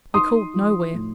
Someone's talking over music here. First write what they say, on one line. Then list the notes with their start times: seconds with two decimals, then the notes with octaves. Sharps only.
'We called nowhere.
0.14 D#4 C6 D#6
0.54 F3
0.93 A2